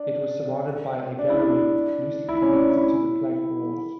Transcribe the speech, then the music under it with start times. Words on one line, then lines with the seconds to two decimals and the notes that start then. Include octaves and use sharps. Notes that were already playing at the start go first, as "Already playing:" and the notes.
It was surrounded by a gallery loosely connected to the plank walls.
Already playing: D4
1.19 D4
1.30 E4
1.39 D4
2.29 E4
2.42 C#4
2.56 D4
2.70 E4